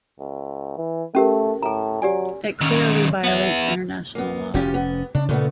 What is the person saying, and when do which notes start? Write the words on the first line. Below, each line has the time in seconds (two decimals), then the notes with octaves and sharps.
It clearly violates International Law.
0.19 C#2
0.77 E3
1.15 A3 C#4 G4 A#4
1.63 A2 A4 A#5
2.02 F#3 G4 D5 G#5
2.61 D#3 C#4
3.24 B3 E5
4.15 A#3 B3
4.54 F1 D2 C#4 F4 G4
4.74 B3
5.15 C#3 D4
5.29 A#2 C#3 A3 B3